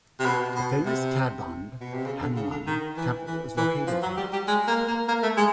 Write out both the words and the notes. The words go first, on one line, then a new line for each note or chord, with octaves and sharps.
The famous Tadbund Hanuman temple is located here.
C3
B2
B2
C3
B2
C3
C#3
D3
C#3
D3
D#3
E3
E3
E3
F3
F#3
G3
G3
G#3
A#3
A#3
A#3
A3
G#3